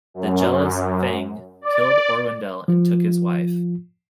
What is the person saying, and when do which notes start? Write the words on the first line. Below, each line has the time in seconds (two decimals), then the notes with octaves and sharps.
The jealous Feng killed Orwendel and took his wife.
0.14 F#2
1.61 D5
2.68 F3 F4